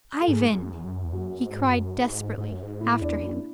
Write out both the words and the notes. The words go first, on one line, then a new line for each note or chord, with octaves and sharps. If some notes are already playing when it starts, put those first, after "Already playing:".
"Ivan!" he cried desperately after him.
A4
G#2 G#4
G#2
F#2
E2
F#2
E2
F#2 F#4
G#2
F#2
G#2
G#2
F#2
G#2
A2 E4
E2 D4
F#2 E4